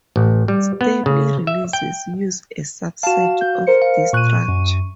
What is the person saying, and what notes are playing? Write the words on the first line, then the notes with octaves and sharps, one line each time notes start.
Stable releases use a subset of this structure.
A1
G3
B3
C#3
E5
G5
F#4 F5 A5 E7
G6
A#4 C5 C#7
F5
A#2 C#6 F#6 D#7
F#2